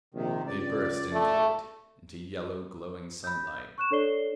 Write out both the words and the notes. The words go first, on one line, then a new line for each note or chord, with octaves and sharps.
They burst into it--into yellow, glowing sunlight.
A#1 C3 D#3
C#2 D5
A3
B5 G6
C#6 F#6 E7
D4 A4 C#5 D5 C7 G7